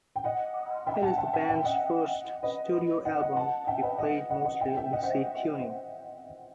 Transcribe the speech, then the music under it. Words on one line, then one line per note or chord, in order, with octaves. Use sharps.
It is the band's first studio album to be played mostly in C tuning.
G5
D#5 F#5
E5 G5
F#5 A5
E5 G5
E5 G5
E5 G5
D#5 F#5
B4 D#5
D#5 F#5
D#5 F#5
F#5 A5
E5 G5
B4 D#5
D#5 F#5
D#5 F#5
D#5 F#5
E5 G5
E5 G5
D#5 F#5
C5 E5